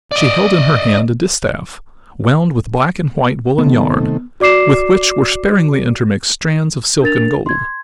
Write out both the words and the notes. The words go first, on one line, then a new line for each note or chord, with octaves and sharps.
She held in her hand a distaff, wound with black and white woollen yarn, with which were sparingly intermixed strands of silk and gold.
D5 D#5
C3 D#3 A3 B3
F#4 D5 D6 C7 E7
D4 A#4 A6 F7
C6 G#6